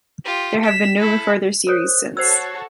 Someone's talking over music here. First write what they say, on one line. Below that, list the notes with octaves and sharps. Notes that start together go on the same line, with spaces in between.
There have been no further series since.
F4 G4
B6 E7
E4 A4
A#4 C5 C#5 D#6 F#6
F#4 A4 C5 C#5 E6 G#6 C7